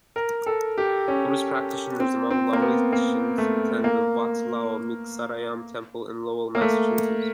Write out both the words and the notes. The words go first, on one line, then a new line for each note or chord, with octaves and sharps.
Buddhist practitioners among the Laotians attend the Wat Lao Mixarayam Temple in Lowell, Massachusetts.
A#4
A4
G4
C#4
C4
C4
A#3
B3
A#3
A3
A#3
A#3
A3